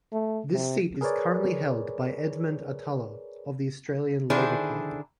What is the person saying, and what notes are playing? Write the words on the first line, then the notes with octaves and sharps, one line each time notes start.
This seat is currently held by Edmond Atalla, of the Australian Labor Party.
A3
C3
G#4 A#4 B4 C#5 D5
D3 D#3 D4 E4 G#4 C5